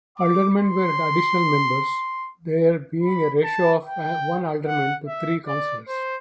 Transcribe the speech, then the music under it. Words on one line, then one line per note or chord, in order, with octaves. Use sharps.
Aldermen were additional members, there being a ratio of one alderman to three councillors.
D6
C6
B5
A5
G5
F#5
E5
D5
C5